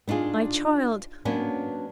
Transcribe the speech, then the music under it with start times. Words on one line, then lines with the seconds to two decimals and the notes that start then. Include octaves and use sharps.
My child!
0.08 B3 D4 D#4 F4 G#4
1.25 F#3 A#3 B3 C#4 D4